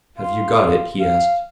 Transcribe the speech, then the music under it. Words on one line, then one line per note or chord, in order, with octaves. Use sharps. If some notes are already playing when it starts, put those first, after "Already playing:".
"Have you got it?" he asked.
F4
F5